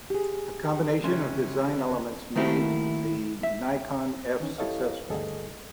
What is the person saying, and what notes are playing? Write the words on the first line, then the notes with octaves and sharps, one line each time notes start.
A combination of design elements made the Nikon F successful.
G4 G#4
C#2 C3 C#4
D#3 A3 A#3 E4 F#4 G4
E5
D#3 E3 C#4 D#4
E4 G4 A4 C#5 D#5 F5
D2 G2 G#4 A4 D#5